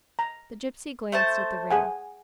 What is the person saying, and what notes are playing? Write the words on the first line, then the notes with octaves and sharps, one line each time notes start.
The gipsy glanced at the ring.
A#5
A3 C5 A5
G#4 F#5 G#5